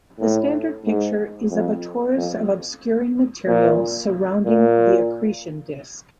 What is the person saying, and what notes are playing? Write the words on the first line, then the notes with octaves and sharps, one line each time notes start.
The standard picture is of a torus of obscuring material surrounding the accretion disc.
A2
G#2
F2
F2
A#2
A#2